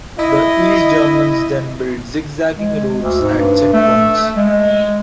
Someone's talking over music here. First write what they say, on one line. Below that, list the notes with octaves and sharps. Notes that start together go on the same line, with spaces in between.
The East Germans then built zig-zagging roads at checkpoints.
E4 D#5
G#3
D2
G#2
G2
A3
G#3